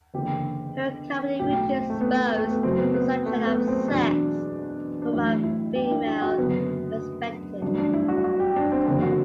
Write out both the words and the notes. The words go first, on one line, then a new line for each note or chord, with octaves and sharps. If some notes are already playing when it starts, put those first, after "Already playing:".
Her comedy routines exposed the subject of sex from a female perspective.
F#1 E2 D3 G4
B1 A2 F#3 G4
C4
A3
B3
A3
B3
F#1 F#2 F#3 C4
B3
B3
A3
B3
C4
E2 B2 F#3 D4
D4
A1 A2 F#3 E4
E4
G4
D4
E4
G4
F#4
F#1 F#2 D3 F#3 B3
A1 G2 F#3 D4
D4
E4
F#4
F#4
G4
D4
C4
F#1 E2 D3 F#3 C4
F#4